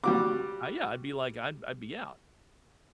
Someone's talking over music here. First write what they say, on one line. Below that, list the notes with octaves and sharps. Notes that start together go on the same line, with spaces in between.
Uh, yeah, I'd be like, "I'd I'd be out,"
G3 F#4 D6